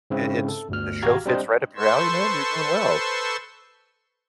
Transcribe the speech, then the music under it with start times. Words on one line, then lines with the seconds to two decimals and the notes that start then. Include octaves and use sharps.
I it's the show fits right up your alley, man, you're doing well."
0.10 G#2 C#3 C4 E4
0.48 A4
0.69 G1 D2 F6
1.02 G#1 F#4 G4 F5 A#5 G#6
1.26 G3 C4 D4 C5 D#5
1.76 A4 B4 C5 C6 C#6 E6